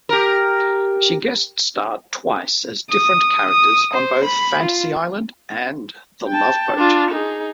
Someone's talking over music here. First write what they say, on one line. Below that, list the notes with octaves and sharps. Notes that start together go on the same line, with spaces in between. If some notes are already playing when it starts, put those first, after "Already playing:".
She guest-starred twice as different characters on both "Fantasy Island" and "The Love Boat".
G4 A#4
D#6
D#6
C5
B5
F4
G5 A5
D4 F4
D#4 G#4